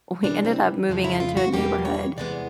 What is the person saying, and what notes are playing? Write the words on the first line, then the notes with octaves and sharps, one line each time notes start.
uh, we ended up moving into a neighborhood,
C3 E3 G3 D4
C4
F2 C#3 F3 G#3
E4
F4
F#4
E2 B2 G3 A#3 G4
C#5
E2 C3 E3 G#3 B3 D5